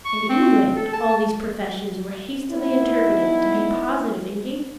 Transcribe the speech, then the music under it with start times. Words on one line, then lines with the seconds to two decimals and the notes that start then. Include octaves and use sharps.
In England, all these professions were hastily interpreted to be positive engagements.
0.05 C#6
0.29 C4
0.76 A4
0.93 A5
2.51 A3 B3 D#4 E4